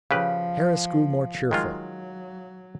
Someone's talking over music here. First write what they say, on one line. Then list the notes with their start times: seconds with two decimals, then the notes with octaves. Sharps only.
Harris grew more cheerful.
0.11 C#3 F3 G4 B4 F5
1.51 D#3 F#3 G#3 F4